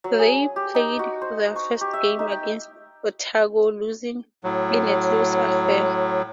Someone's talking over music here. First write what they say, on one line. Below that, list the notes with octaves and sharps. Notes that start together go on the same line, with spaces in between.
They played their first game against Otago, losing in a close affair.
F#3
G#4
G4
D#4
F#4
C5
C#6
G4
E5
D#4
G5
A2 F#3